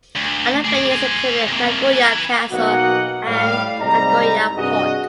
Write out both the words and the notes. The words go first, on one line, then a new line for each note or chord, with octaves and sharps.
Other venues included Nagoya Castle and Nagoya Port.
D2
G#4 D5
C5 G#5
C3 A#3
B4 G#5
B1 B2 A#3 F#4 D#5 F#5
A2 G3 F5
C2 G#2 G3 D#4 A#5
G2 C3 F#4 G#4 D#5